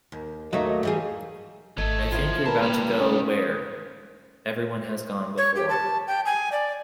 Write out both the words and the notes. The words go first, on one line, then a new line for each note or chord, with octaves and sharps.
I think you're about to go where... everyone has gone before.
D#2
D#2 F#3 A3 A#3 D#4 D#5
E3 G3 G#4
G#1 A3 A4 D#5 G#6
D#3 E4 F4 C5 G#6
G#3 A#4 B4 G5 A5
C#2 G3 A#3
C#4 D#6
C#5
G4
A5
G5
G#5
D5